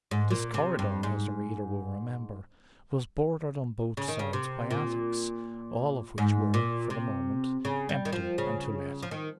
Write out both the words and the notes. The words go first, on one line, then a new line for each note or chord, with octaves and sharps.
This corridor, as the reader will remember, was bordered on both sides by attics, all of which were, for the moment, empty and to let.
G#2
A#2
C3
G2
G#2
C#3
D#3
C#3
C3
A#2
G#2
A#2
C3
C#3
G3
D#3
F3
C#3
F3
D#3